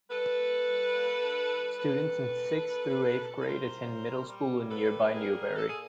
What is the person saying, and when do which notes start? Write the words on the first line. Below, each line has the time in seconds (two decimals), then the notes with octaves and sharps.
Students in sixth through eighth grade attend middle school in nearby Newberry.
0.09 G3 A4 B4
0.37 A#3
0.65 G3
0.93 A#3
1.21 D#3
1.49 G3
1.77 A#3 A4 B4
2.05 G3
2.33 A#3
2.61 A#3
2.89 A#3
3.18 A#3
3.38 B4
3.45 G3 A#4 C5
3.74 A#2
4.01 G3
4.29 G3
4.57 A#3
4.70 A4 B4
4.85 G3
5.13 A#3 G#4 A#4
5.41 A#3
5.55 A4
5.66 A#2 G#4